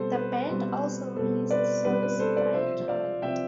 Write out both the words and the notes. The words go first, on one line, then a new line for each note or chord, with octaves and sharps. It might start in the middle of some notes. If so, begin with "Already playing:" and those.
The band also released songs via torrent.
Already playing: B2 G3 C4 A4 C5
B4
B2 G3 C4
B2 G3 C4 A4
B4 D5
B2 G3 C4 B4
B4
A4 C5
B4 D5
C3 F3 C4 C5 E5
D5 F5
C3 F3 C4 E5 G5